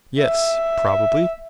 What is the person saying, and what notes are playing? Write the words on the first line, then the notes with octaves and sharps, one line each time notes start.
Yes, probably.
E5